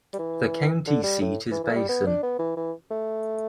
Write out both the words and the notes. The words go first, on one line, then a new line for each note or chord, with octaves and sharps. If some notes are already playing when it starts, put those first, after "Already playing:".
The county seat is Basin.
G3
E3
D3
G3
A2
E3
E3
A3
G3
B3
D4
B3
E3
E3
A3